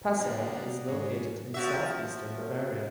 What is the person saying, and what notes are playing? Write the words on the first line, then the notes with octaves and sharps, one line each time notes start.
Passau is located in southeastern Bavaria.
D3 G3 A#3 D4 C#5
D5 D#5 F#5
G#2 C#4
F3 F#4 E5